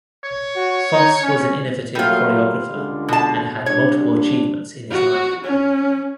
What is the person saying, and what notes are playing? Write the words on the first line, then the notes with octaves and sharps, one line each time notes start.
Fosse was an innovative choreographer and had multiple achievements in his life.
C#5
F#4
D#4
C#4
F#3 G3 A3 A#3 F4
C#2 D3 G#3
B2 A5
C2 D4 C#5
F#4
C#4